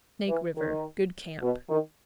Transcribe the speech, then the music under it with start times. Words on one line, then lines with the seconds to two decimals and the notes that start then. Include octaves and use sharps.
Snake River.--Good camp.
0.28 E3
0.57 D#3
1.41 B2
1.69 D#3